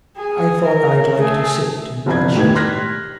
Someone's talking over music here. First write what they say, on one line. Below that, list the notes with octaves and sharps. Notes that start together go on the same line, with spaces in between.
I thought I'd like to sit and watch you.
G#4
A#4
A3 G#4
G1 C2 F3 B5 G#6
E1 A2 D#3 G4 B4 G#6
C6 F6 F#6 G#6 A#6 B6